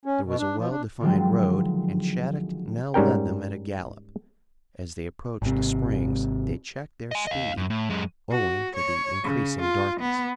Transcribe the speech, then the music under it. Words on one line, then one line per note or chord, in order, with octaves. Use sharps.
There was a well defined road and Shattuck now led them at a gallop. As they approached the springs they checked their speed, owing to the increasing darkness.
C#4
B2
D4
F3
D4
D3 D#3 F3 F#3 G#3 C4
G#2 G3 C#4 A#4 G5
G#1 C3
D#5 G#5
D#5 F5
F#2
A2
F#2 G#3
F#4
C#5
C#3
F4
B3